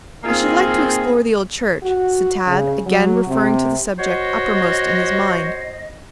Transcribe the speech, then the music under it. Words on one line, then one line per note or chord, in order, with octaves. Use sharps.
"I should like to explore the old church," said Tad, again referring to the subject uppermost in his mind.
A#3 C4 D#4 F4 G#4
F#4
C#3
F#3
C3
F#4 C5 C#5 D#5